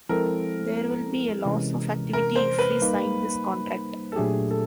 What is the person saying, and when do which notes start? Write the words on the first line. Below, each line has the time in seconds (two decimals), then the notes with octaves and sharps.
There will be a loss of activity if we sign this contract.
0.09 F3 G#3 C4 E4 A4 A#4
1.45 C3 E3 G#3 C#4
2.13 A#4
2.36 C5
2.59 B4
2.80 G3 A#3 D#4
4.12 A4
4.16 A#2 F#3 A3 D4 G4 G#4
4.51 A4